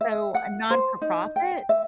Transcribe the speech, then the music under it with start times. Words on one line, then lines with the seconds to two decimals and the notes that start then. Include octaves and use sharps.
So a non-for-profit?
0.01 E5
0.35 F#5
0.70 C5
1.02 D#4
1.36 G5
1.69 E5